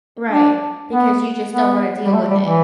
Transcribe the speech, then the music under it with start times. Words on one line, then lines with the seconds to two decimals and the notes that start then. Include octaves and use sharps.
Right, because you just don't want to deal with it.
0.31 D4
0.92 B3
1.53 B3
2.05 G3
2.14 A3
2.30 G3
2.45 E3